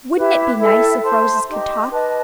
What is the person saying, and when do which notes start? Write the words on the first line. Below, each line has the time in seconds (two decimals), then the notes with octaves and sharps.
Wouldn't it be nice if roses could talk?
0.15 E4 G4 B4
0.58 E4 A4 E5 G5
1.03 C5 E5 A5 C6
1.48 D#4 G4 D#5
1.92 B4 D#5 A5